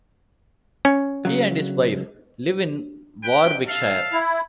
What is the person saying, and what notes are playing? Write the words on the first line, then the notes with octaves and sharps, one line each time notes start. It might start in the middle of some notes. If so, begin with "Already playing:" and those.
He and his wife live in Warwickshire.
C#4
C#3 F#3
B4 G5
A4 F5
E4